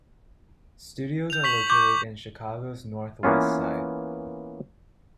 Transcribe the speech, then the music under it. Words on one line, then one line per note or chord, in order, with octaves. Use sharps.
Studios are located in Chicago's Northwest Side.
G6 F7
C#6 B6 F#7
C#6 D6 G6
E3 A#3 B3 C#4 F4